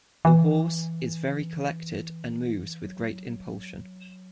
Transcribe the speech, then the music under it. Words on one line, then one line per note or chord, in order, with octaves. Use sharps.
The horse is very collected and moves with great impulsion.
E3
F#3